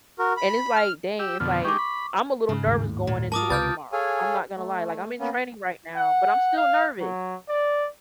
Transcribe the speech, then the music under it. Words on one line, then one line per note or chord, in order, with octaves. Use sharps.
and it's, like, dang, it's, like, I'm a little nervous going into work tomorrow. I'm not gonna lie, like, I'm in training right now, but I'm still nervous
F#4 A#4
B5
F6
G4 E6
F2 B2 D3 F6
G#3 D#4 G4 C#6 D6
B5
G#2 C#3
D#2 A2
A#2
F4 A#4 A5 D6 D#6
C#2 C3 B4 F5 D6 F6 G6 A6
G#4 A4 C#5 F5 G#5
A3
A#3 B3 C#4
F#5
F5
F#3
D5